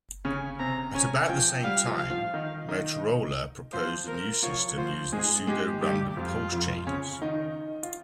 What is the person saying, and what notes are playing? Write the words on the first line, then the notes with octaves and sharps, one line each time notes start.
At about the same time, Motorola proposed a new system using pseudo-random pulse-chains.
C#3 C#4 G#5
C3 C4 A#5
C#3 C#4 G#5
F3 F4 G5
G3 G4 F5
F3 F4
F5
F3 F4
D#3 D#4
D#3 D#4
F3 F4 C5
A#4
F3 F4 C#5
F3 F4 C5
G#2 G#3 G#4
G#2 G#3 G4
G2 G3 G4
F2 F3 F4
F2 F3
C#3 C#4
D#3 D#4
F4